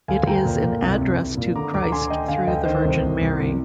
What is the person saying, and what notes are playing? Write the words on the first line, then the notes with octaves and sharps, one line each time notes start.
It is an address to Christ through the Virgin Mary.
D2 F5 G#5
D2 G5 A#5
A#2
A#2
C2
C2
C2
A#2
D3 A#5 D6
D2 A#5 D6
D3 G#5 C6
D3 D#5 G5
D3 F5 G#5
D2 D#5 G5
D#3 C5 D#5
C2
C2
C2
C2